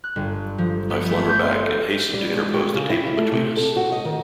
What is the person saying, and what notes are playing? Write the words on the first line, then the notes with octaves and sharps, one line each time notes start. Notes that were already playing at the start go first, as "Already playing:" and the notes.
I flung her back, and hastened to interpose the table between us.
F#6
G1
F3
B3
A3
G6
C6
G3
G#3
G4
C#3
E4
A3
C3
A4
F#4
D#5
D#3